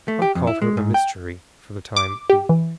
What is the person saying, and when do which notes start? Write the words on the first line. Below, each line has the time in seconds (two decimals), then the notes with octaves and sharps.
I call her a mystery, for the time being.
0.08 A3
0.22 G4
0.35 F2
0.47 E4
0.62 G#3
0.77 G#2
0.94 G5
1.96 D6
2.30 G4
2.49 E3